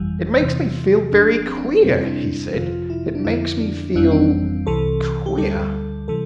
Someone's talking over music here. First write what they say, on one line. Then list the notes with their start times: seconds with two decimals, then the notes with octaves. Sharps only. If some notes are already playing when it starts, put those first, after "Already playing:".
"It makes me feel very queer," he said; "it makes me feel--queer!"
Already playing: G1 F2 E3 G3
0.42 E2 C3 E3
1.12 G1 G2 F3 D4
1.47 C4
1.57 D4
1.66 C4
1.82 F2 C3 G3 C4
2.01 E4
2.07 D4
2.54 G1 F2 C3 F3 F4
2.90 E4
3.15 D4
3.25 F2 D3 F3 E4
3.60 D4
3.95 G1 F2 E3 G3 D4
4.03 C4
4.11 D4
4.66 C2 C3 E3 A4
5.26 G4
5.38 D2 D3 G3 A4
6.08 C3 E3 G3 A4